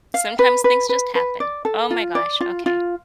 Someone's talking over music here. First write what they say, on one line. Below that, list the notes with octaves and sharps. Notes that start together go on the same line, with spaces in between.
sometimes things just happen. Oh my gosh, okay.
F5
B4
B4
B4
B4
D5
A4
F4
D5
F4
F4